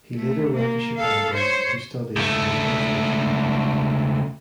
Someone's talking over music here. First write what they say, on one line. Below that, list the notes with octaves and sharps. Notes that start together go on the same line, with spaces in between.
He later went to Chicago to study at the University of Chicago.
A3
A#3
A4 F5
C5 C#5
C#2 A3